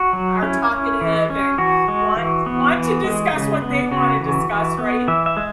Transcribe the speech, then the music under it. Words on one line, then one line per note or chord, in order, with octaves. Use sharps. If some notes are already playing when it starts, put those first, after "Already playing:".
are talkative and want want to discuss what they wanna discuss, right?
Already playing: F#4
F#3
C#4 E4
C#4
E3
C#4
E3 F#4
G#3
E3
B3
E3
G#3
C#3
B3
C#3 F#4
E3
E3
B3
E3 E5
E5
G#3